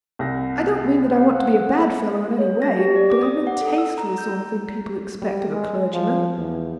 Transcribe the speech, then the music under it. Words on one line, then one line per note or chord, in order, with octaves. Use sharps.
I don't mean that I want to be a bad fellow in any way; but I've no taste for the sort of thing people expect of a clergyman.
C2 A#6
F5 F#5
C#5
A#6
G4
D5
D6
D#6
F#5
A4
E6
A#5
G6
G3
G#3
F3
E2